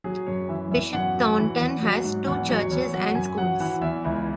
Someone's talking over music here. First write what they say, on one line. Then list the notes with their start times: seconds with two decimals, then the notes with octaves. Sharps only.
Bishop Thornton has two churches and schools.
0.04 F#3 G#4
0.27 F#2 C#5
0.49 E3 E5
0.71 E2 E5
0.93 F#2 F#5
1.16 F#3
1.38 E3
1.60 E2
1.82 F#3
2.04 G#2
2.27 E2 F#5
2.49 F#3 C#5
2.71 E2 C#5
2.93 F#3 F#5
3.15 F#2 G#5
3.38 F#3 F#5
3.60 E3 F#5
3.81 E2 E5
4.04 C#2 E4